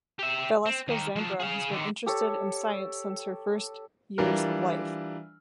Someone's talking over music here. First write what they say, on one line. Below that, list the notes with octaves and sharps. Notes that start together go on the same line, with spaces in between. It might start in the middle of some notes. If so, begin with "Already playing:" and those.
Valeska Zambra has been interested in science since her her first years of life.
G4 E5
C4
D#2 D#3
F3 F#3
G#4 F5
D3 D#3
G4 A4 C#5
E3 G3 D4 F4 A#4